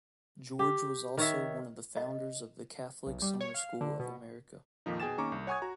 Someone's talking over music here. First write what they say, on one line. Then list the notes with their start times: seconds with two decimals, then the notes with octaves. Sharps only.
George was also one of the founders of the Catholic Summer School of America.
0.59 G4
1.17 D#3 C#5 E5
1.97 D#5
3.07 B1
3.22 G3
3.41 C#5
3.54 F5
3.81 D3
4.00 B2
4.86 F2 A#2 D#3 F3 D#4
5.00 B2 G#4 G5 G#5 A6 E7
5.18 D#3 A#3 C#4 A#5 C#6 D6
5.32 C2
5.47 C#5 F#5 G#5 C#6 D#6 G#6
5.62 F#4 A#5